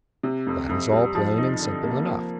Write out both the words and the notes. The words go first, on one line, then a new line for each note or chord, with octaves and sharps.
That is all plain and simple enough.
C3
F2
F2
G3
F3
D#4
D3
A#3
F3